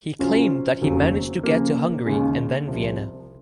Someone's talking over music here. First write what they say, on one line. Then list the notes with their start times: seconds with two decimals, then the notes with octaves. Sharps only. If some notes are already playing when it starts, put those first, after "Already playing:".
He claimed that he managed to get to Hungary and then Vienna.
0.19 C#3 F#3 C#4 F4 C5
0.81 F1 D#2 C#3 F#3 C4
1.44 C#3 F3 A#3
2.05 D#2 C#3 G#3
2.67 C2 C3 F3